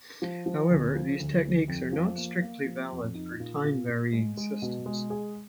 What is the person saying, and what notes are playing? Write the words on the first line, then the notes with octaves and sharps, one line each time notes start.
However, these techniques are not strictly valid for time-varying systems.
F3
F3
D2
F3
D2
D2
F2
F3
A#3
A#3
F3
F2
D#4
A#2
A#2
A#2
G#3
G#3
B2
G#3
G#4